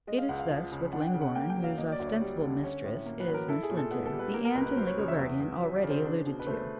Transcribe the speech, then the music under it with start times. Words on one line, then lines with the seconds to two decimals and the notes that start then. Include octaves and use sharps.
It is thus with Llangorren, whose ostensible mistress is Miss Linton, the aunt and legal guardian already alluded to.
0.07 G#3 D#5
0.18 F5
0.28 C#2 F#5
0.39 F5
0.50 F3
0.72 C#3
0.92 D4 F#5
1.01 G5
1.07 F#5
1.14 C#3
1.21 F#5
1.35 A#3 G5
1.50 G5
1.56 F#3
1.64 F5
1.78 A#3 D#5
1.92 D5
1.99 D2
2.06 C#5
2.21 G3
2.41 D3
2.63 C#4
2.84 A2
3.06 A#3
3.20 B4
3.27 F#3
3.34 A#4
3.48 E4 A4
3.63 G#4
3.70 A#2
3.77 A4
3.91 B3 G#4
4.06 A4
4.12 G3
4.19 B4
4.33 A#3 A#4
4.45 A#4
4.55 C#2 B4
4.66 B4
4.76 F#3 C5
4.87 C#5
4.98 C#3 C#5
5.08 E5
5.19 E2
5.40 E2
5.61 F#3
5.76 D5
5.83 C#3
5.90 C5
6.04 D4
6.26 B2
6.39 B4
6.47 A3 C5